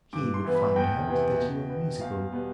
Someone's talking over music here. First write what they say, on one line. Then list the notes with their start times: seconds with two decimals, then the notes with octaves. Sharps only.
He would find out that you are musical.
0.13 G2 D6
0.34 C6
0.45 E3 B3
0.55 B5
0.76 E2 G5
1.07 C3 E3 B3
1.38 B2
1.69 B3
2.00 E2 F5
2.32 B2 G3 B3